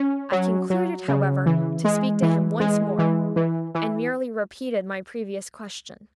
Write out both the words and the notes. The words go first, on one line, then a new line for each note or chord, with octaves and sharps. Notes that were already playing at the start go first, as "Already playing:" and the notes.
I concluded, however, to speak to him once more, and merely repeated my previous question.
Already playing: C#4
F#3
F#3
C#3
E3
G#3
E3
G#3
E3
E3
E3